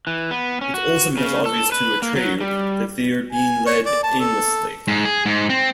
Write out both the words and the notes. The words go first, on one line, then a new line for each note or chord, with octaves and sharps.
It also becomes obvious to Atreyu that they are being led aimlessly.
E3
B3
C#4
F#4
C#3
A4
B4
A#3
F#3
G3
G#5
C#5
D5
A5
A4
G#2
G#4
G#2
C4